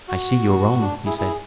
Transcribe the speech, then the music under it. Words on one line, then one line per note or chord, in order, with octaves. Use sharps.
"I see you're on," he said.
F#4
D4
E4 G#4
E4 G#4